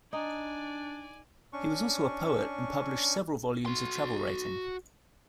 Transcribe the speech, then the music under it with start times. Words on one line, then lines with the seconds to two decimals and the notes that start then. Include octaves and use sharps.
He was also a poet and published several volumes of travel writing.
0.13 D4 D#4 D5 G#5
1.53 C#4 D4 C#6
3.66 F#4 C6